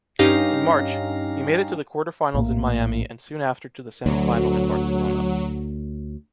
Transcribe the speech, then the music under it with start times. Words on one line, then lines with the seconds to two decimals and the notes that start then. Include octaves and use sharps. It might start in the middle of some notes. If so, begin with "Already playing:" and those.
In March, he made it to the quarterfinals in Miami and soon after to the semifinal in Barcelona.
0.19 G2 C#4 D#4 G4 F5 A#6
2.34 A#1 A2 D3 A#3
4.06 D2 F#3